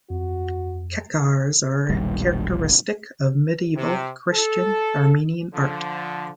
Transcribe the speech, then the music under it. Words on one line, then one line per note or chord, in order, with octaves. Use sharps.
"Khachkars" are characteristic of Medieval Christian Armenian art.
F2 F#4
E1 A#1 D#3 G3
C3
A4
D3 F3